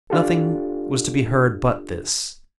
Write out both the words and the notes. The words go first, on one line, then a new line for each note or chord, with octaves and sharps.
Nothing was to be heard but this.
D4 F4 G4 A4